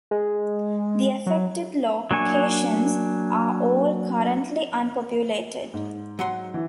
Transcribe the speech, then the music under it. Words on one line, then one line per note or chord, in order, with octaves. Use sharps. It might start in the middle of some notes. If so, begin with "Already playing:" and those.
The affected locations are all currently unpopulated.
G#3
F#3
F#3 A#3 D4 G#5 C#6
G#2
F#3 F#5 C6
E3